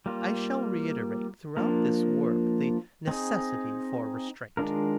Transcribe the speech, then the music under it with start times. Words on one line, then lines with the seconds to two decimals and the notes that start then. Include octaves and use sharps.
I shall reiterate throughout this work the necessity for restraint.
0.06 G3 A#3 F4
1.57 F3 A#3 D4 F4 A#4
3.08 C4 D#4 G#4
4.57 D#3 G#3 D4 F4 A#4